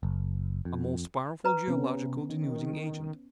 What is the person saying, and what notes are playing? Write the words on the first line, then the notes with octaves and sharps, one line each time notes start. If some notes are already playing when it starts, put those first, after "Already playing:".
A most powerful geological denuding agent.
F#1
F2
B4 A#5
C3 B3 C#4
D#3